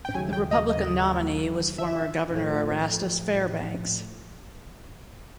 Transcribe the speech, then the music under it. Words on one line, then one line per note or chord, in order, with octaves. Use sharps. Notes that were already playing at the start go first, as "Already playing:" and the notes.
The Republican nominee was former Governor Erastus Fairbanks.
G5
D#2 C#3 F#3 A3 G#5
G5
D#5
D#5
E5
A2 F3 A3